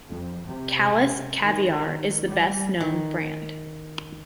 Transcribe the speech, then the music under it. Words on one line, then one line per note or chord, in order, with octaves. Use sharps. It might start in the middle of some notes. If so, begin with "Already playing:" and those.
Kalles kaviar is the best-known brand.
F2
C3
D#3
G3
D#3